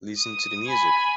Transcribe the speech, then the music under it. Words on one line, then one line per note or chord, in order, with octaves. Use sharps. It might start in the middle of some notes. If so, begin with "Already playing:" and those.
Listen to the music...
D#6
G#5 B5